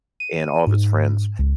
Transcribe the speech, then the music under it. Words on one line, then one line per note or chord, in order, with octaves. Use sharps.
and all of his friends?"
D#7
G#2
C#2